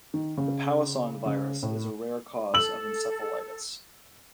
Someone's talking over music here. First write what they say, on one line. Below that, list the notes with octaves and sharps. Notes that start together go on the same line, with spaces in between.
The Powassan virus is a rare cause of encephalitis.
D#3
C#3
C#3
A2
A4 E6 F#7